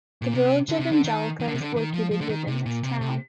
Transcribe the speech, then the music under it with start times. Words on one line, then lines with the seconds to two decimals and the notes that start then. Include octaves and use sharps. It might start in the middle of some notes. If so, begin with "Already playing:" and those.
The village of Angelica is located within this town.
0.22 A#2
0.33 C3
0.69 D3
0.80 C3
0.92 D3
1.04 D#3
1.40 D#3
1.48 D3
1.55 C3
1.61 D3
1.76 D#3
1.94 F3
2.11 F3
2.21 D3
2.29 D#3
2.47 C3
2.66 A#2
2.83 C3
3.01 C3